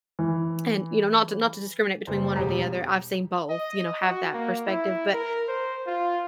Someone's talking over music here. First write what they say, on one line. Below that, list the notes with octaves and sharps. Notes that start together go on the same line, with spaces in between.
and, you know, not to not to discriminate between one or the other, I've seen both, you know, have that perspective, but,
E3
F#1 C5
E1 G3 A#5
D#5
F#4
A#3
E4
A#4
C5
F4